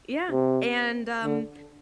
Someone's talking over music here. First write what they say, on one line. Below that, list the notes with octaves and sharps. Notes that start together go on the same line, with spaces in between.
Yeah, and, um,
C3
D3